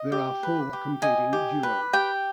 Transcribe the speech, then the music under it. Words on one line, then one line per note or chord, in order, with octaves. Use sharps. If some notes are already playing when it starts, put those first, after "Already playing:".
There are four competing duos.
Already playing: D#5
G4
B4
G4
D#5 G#5
G4
B4
G4 G5